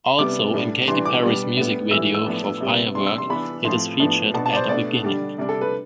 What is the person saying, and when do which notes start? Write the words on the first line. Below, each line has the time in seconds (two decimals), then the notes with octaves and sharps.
Also, in Katy Perry's music video for "Firework", it is featured at the beginning.
0.19 C3 G3 B3 D4 D6
0.54 A2 G3 D4
0.87 E3 G3 D4 C6
1.05 D6
1.22 B2 G3 B3 D4
1.57 A2 G3 B3
1.91 A2 E3 G3 E6
2.15 E6
2.26 A2 F3 B3 D4
2.61 C3 G3 B3
2.95 C3 G3 D4 C6
3.07 E6
3.18 C6
3.30 E3 B3 D4 B5
3.64 A2 F3 C4 C6
4.00 A2 F3 B3 D4
4.33 B2 B3 D4 A5
4.46 A5
4.53 D5
4.57 C5
4.68 B2 A3 D4 D5
5.03 D3 G3 D4
5.38 C3 G3 D4
5.49 A4
5.61 B4